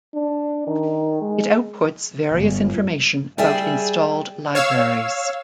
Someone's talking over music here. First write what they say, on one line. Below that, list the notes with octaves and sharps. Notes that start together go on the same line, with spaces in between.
It outputs various information about installed libraries.
D4
D#3
G#3
G1
G3 G#4 E5
C#5 F5 E6